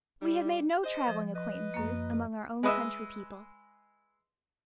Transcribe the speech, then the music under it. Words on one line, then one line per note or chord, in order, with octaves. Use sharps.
We have made no traveling acquaintances among our own country people.
G3
G#4 C5 D#5
F3
B4 D#5
F#2 A#3
G#3 B4 D#5 E5